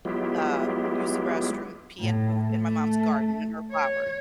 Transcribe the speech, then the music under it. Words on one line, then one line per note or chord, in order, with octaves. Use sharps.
uh, use the b restroom, pee and poop in my mom's garden and her flowers.
F#3 G#3 B3 E4 F4 G4
A2
A3
C#5